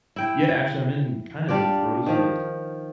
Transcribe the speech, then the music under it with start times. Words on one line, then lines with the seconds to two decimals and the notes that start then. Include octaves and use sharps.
Yeah, actually, I'm in kind of the throes of it
0.16 E4 G5
1.48 G3 D4 F4 D5
2.06 D#3 F3